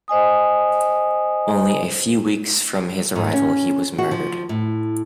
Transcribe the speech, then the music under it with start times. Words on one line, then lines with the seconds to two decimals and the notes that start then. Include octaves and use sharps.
Only few weeks from his arrival he was murdered.
0.08 C5 D#5 G#5 D#6
3.16 G#2
3.33 C#4
3.98 F#4
4.11 F3
4.49 A2